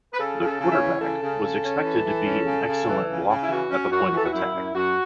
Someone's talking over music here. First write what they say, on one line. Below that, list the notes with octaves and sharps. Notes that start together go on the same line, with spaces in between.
The quarterback was expected to be an excellent blocker at the point of attack.
B4
C#3 A4
C#3
A4
C#3
E5
C#5
E3
C#3 A4
C#3
C#3
C#4
E3
E3
C#4
C#3
C#3
E3
C#3
C#3
E4
E3 F#4
C#4
F#2 F#4
E3 A4
F#4
F#2 E4
F#2
F#2 F#4